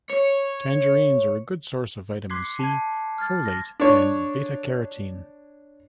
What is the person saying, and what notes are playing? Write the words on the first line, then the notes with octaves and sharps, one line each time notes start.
Tangerines are a good source of vitamin C, folate, and beta-carotene.
C#5
C6 D6 F#6 G#6 B6 C7
C#7
A5 G#6
F6 G#6 A6
A#6
D4 C#5